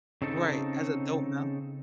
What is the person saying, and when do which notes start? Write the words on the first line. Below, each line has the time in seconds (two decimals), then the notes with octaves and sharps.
Right, as a adult now
0.22 C#3 C4 D#4 A4